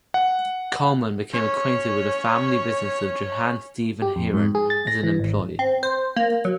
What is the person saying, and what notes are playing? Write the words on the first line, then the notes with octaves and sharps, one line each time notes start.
Kuhlmann became acquainted with the family business of Johann Stephan Heeren as an employee.
F#5
C#4 C#5
G4
F2
G#2
G#4
A6
A#6
E3
G#1
C4
C5
A#3
F#3